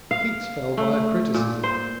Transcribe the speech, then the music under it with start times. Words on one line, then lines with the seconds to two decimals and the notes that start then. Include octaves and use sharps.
KEATS fell by a criticism.
0.11 F5
0.78 A3
1.34 A#2
1.63 C5